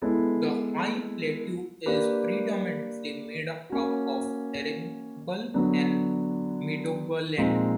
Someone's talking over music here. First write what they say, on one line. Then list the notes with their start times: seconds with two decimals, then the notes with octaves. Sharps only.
The high plateau is predominantly made up of arable and meadowland.
0.02 G#3 B3 E4 A4
1.86 A#3 D4 G4 B4
3.70 A#3 C#4 F#4
5.54 D3 F#3 B3 D4
7.38 A#2 F3 G#3 C4 D#4